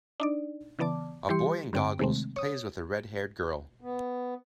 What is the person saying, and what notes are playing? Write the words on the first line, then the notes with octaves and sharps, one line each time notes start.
A boy in goggles plays with a readhaired girl.
D4 D#4 D5
C#3 E3 B3 D5 A5 D6
E3 G3 E4 G4 C6 C#7
G2 D3 C4 G5 D7
C3 D#3 G#3 A3 C4
C#5 D#6
B3